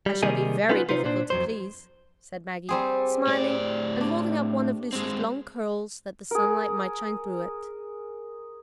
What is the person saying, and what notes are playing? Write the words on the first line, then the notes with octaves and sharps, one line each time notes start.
"I shall be very difficult to please," said Maggie, smiling, and holding up one of Lucy's long curls, that the sunlight might shine through it.
G3
C3 D#3 G3 A#3 D#4 G#4
B3 C#4 D#4 F4 B4
C3 D#4 F4 B4 C5
A#2 D4 C5
F2 F#3 C5
G3 C4 G#4
A2 D5
D4
G#3 C4
G#4 A#4